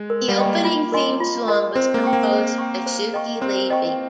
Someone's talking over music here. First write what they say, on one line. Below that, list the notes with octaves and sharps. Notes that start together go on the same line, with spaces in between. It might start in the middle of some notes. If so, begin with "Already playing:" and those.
The opening theme song was composed by Shuki Levy.
Already playing: G#3
A#4
G3
D#5 G5 C#6
A#3
F4
A#4 D#5 G#5 C6
F4
A#4 D#5 G#5 C6
C4 C5
A#3
G5 C#6
A#3
C5
G5 C#6
C5
D#5 G5 C#6
C4 C5
D#5 G5 C#6